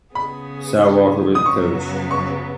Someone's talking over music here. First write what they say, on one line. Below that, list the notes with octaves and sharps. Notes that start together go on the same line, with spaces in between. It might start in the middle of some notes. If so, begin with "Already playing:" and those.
Sal Walker was the coach.
C#3 B3 G#4 B5
D#6
F#2 C#3 F#3 B3 C#6
C#6